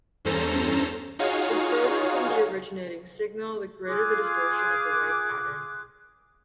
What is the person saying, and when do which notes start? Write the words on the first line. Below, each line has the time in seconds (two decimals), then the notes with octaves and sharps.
The further from the originating signal, the greater the distortion of the wave pattern.
0.25 E2 G2 C#4 A4 C5 A#5
1.19 D#4 F4 F#4 G#4 C#5 F5
3.85 F4 G#4 D6 F#6